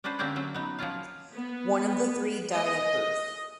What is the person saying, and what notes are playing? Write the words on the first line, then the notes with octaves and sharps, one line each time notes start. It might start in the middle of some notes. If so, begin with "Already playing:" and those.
One of the three died at birth.
C#4 D4 F#4 B4 C5
D3 A#3 C4 C#4 G4 G#4
F#3 C#4 E5
B3 D#4 F#4
F3 F#3 A#3 C#4 F4 F5
B3
D#5